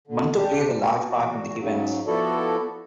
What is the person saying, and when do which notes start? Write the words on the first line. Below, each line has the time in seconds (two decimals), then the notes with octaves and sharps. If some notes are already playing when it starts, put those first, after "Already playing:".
Bunter plays a large part in the events.
0.07 D3
0.37 D4 G4
0.77 B2
1.09 E2 F#4
1.58 G#2 C#3 F#3
2.07 F3 B3 E4 F#4 A4 D5